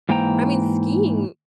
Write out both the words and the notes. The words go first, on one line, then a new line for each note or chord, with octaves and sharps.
I mean, skiing
G#2 E3 A#3 C5 G5 A#5